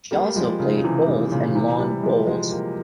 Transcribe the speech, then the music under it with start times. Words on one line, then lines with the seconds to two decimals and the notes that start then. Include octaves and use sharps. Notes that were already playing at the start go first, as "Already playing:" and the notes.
She also played golf and lawn bowls.
0.11 G3 A#3
0.36 F3 G#3
0.60 C#3 F3
0.78 C#3
0.84 C3 E3
1.07 G#2 C3
1.31 A#2 C#3
1.55 C3 E3
1.79 E3 G3
2.03 F3 G#3
2.27 F3 G#3
2.51 G3 A#3